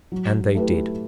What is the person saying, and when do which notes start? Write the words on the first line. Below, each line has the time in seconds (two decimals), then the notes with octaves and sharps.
And they did.
0.12 F#3
0.55 A3 E4 G4 B4